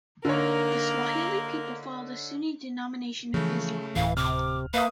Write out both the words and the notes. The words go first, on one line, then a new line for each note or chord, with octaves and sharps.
The Swahili people follow the Sunni denomination of Islam.
D3 A#3 D#4 A#4 C#5
C#3 E3 F3 A3
D1 A2 E3 F5
C3 D6 F6
A#3 B4 E5 F5 D#6